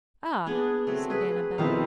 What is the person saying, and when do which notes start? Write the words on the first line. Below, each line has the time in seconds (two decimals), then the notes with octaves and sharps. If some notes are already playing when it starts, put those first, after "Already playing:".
"Ah!..." said Annabel.
0.46 B3 D4 G#4
0.87 F#3 A3 C4
1.10 G#4 B4
1.58 B2 D#3 F3 C4 E4 F5